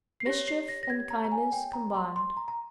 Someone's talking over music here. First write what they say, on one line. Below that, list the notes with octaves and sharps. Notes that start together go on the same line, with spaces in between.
Mischief and kindness combined.
C7
G4 C#5 A#6
C7
A#6
A#6
G#6
A#5
A#5
G#5
G5
A#5
C6
C6
A#5
A#5